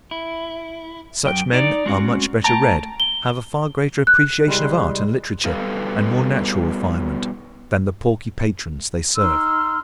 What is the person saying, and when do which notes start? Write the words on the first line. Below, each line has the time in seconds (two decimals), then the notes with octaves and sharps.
Such men are much better read, have a far greater appreciation of art and literature and more natural refinement than the porky patrons they serve.
0.11 E4
1.25 F#2 G5
1.53 D#4 D5
1.86 G#3 C4 C#4 F#4
2.44 A3 G5 A5 A#5
3.00 G7
4.07 F#6
4.47 C2 G3 G#3 C6
5.45 B2 G3 A4 B4 F5
9.16 D#4 C6 E6 F6